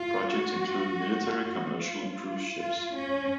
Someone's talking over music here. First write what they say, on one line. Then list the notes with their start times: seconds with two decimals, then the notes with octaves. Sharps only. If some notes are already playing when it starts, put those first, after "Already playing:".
Projects include military, commercial, and cruise ships.
Already playing: F4
0.31 F#4
1.45 F#4
1.82 F4
2.57 F4
2.95 C#4